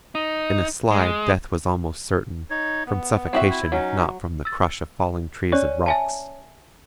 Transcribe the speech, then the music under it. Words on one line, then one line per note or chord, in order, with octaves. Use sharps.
In a slide death was almost certain, from suffocation if not from the crush of falling trees and rocks.
D#4
G#3
D#4 C#5
B3
C4 F#4 E5
E4
F#3 C#4 D#4
E6 A6
C#4 D5 F#6
E5 G#5 A5